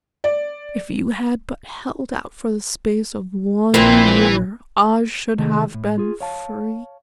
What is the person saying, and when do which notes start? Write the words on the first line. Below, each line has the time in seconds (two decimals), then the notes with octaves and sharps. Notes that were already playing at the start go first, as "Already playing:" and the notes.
If you had but held out for the space of one year I should have been free.
0.24 D5
3.74 A#1 A#2 A#3 C4 E4 B4
5.38 C3 D#3 G#3 A3
5.74 A2
5.98 F4 G#4
6.20 C#5 F5 A5